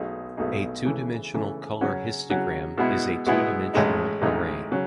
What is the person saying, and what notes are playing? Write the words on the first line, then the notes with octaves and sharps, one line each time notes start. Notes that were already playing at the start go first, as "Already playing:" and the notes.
A two-dimensional color histogram is a two-dimensional array.
Already playing: B1 B2 A3 D#4 G#4
B1 B2 A3 D#4 G#4
C#3 E3 A3
C#3 E3 A3
C#3 F#3 C#4 F#4
C#3 F#3 C#4 F#4
B2 G#3 B3 E4 G#4
B2 G#3 B3 E4 G#4
A1 A2 G#3 D#4
A1 A2 G#3 D#4
C#3 F#3